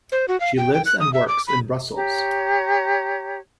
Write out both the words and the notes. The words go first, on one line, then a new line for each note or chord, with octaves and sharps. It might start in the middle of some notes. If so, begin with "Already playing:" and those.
She lives and works in Brussels.
C5
F#4
F5
G5
G5
F#6
D#6
E5
D6
B5
G4 C#5 A#5